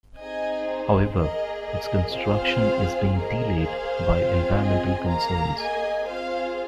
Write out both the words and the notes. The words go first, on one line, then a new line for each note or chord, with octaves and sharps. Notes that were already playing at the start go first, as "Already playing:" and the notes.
However, its construction is being delayed by environmental concerns.
C4 D#4 G#4 D#5 G#5
C5
A#3 G#4 A#4 D#5
A#4 D#5
C4 F4 G#4 C5 F5
A#3 G#4 A#4 D#5
C5 F5
C4 F4 G#4
D#5 G#5
A#3 G#4 F5 A#5
D#5 G#5
C4 F4 G#4 C5 F5